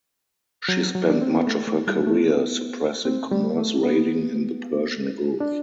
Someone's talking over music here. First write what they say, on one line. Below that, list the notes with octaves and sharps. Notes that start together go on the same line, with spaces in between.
She spent much of her career suppressing commerce raiding in the Persian Gulf.
F#3
F#3
D4
C4
B3
A3
A3
G3
A3
B3
C4
G3
A3
B3
D4